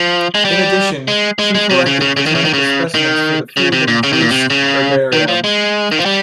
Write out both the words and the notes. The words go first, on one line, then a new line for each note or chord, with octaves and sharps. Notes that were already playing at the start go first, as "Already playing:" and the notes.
In addition, she collected botanical specimens for the Fielding-Druce Herbarium.
Already playing: F3
G#3
G3
G#3
G#3
G#3
C3
C#3
C#3
C#3
D#3
C#3
D#3
C#3
D#3
C#3
C3
A#2
C#3
C3
A#2
C3
C#3
D#3
F3
G#3
D#3
F3
G3